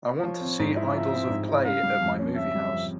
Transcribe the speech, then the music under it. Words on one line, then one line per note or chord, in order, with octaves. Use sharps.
I want to see Idols of Clay at my movie house.
F3 C#5
C4
G#2
E4
F3 E5
C4
G#2
E4
C#3 F5
G3
F2
C#4
C#3 E5
G3
F2